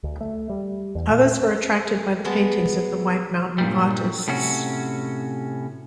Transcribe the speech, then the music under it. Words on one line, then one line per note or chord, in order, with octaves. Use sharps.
Others were attracted by the paintings of the White Mountain artists.
D2
A3
G3
E2
A#2
G#3 B3 A5
G2 A#2 G3
A2 C3 C#4 F#4